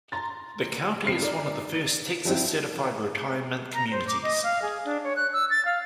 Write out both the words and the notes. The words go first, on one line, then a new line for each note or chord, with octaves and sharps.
The county is one of the first Texas Certified Retirement Communities.
A#5 C6 A6
G2 C#3 C4 F6 C7
D#4 A#4 D5
F3 G3 C4 D#4 E4
A#5
C5
D6
D#5
F5
G#4
D4
C#5
F#6
E6
A6
F5